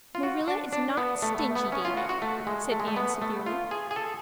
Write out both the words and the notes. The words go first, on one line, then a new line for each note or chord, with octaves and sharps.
"Marilla is not stingy, Davy," said Anne severely.
F4
F#4
D4
D4
B3
A3
A3
B3
C#4
F4
F#4
F#4
A3
G#3
A3
G#3
A3
B3
A3
F4
G#4
G#4
A4